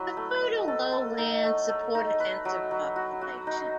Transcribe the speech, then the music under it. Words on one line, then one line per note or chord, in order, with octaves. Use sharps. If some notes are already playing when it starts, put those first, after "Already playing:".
The fertile lowlands support a denser population.
Already playing: F#3 E4 B4 D#5
A3
D#5
A4
A4
D#4
A3
A3
D#4
B4
F#3
F#3
F#4
F#4
D#4